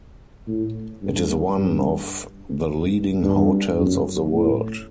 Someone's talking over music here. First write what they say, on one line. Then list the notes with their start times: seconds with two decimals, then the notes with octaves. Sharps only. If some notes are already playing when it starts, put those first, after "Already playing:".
It is one of "The Leading Hotels of the World".
0.47 A2
1.02 G2
1.58 G2
3.24 G2
3.78 F#2
4.33 A2